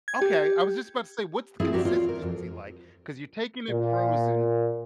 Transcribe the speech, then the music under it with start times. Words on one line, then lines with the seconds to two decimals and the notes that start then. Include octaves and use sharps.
Okay, I was just about to say, what's the consistency like? Cause you're taking it frozen
0.08 G#6
0.22 G4
1.60 C4 E4 F4 G#4 A4
1.73 F#4 G4 A#4 C5 D5
1.85 F4 C#5 D5
2.09 A#4
2.22 F2
3.70 A#2